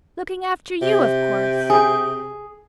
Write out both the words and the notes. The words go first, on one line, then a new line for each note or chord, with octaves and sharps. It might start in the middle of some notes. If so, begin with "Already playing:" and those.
"Looking after you, of course."
C3
G#4